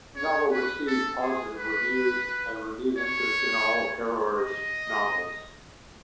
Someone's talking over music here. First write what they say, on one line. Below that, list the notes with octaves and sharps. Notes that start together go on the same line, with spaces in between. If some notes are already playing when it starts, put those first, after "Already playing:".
The novel received positive reviews and renewed interest in all of Harrower's novels.
C#5
B4
A4
G#4
B4
C#5
D#5